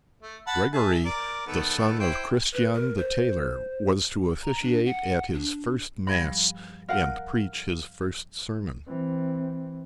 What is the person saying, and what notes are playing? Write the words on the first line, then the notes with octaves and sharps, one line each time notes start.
Gregory, the son of Christian the tailor, was to officiate at his first mass and preach his first sermon.
A3
F#5 A5 B5
G#4 E5 A5
A#4 D5
D#3 B3 A4
E4 C5 G5
B4
A#4
C5
A#5
D4
F#5
D4
G2 F3 G3 B5
A#4 F5 F#5
E3 C4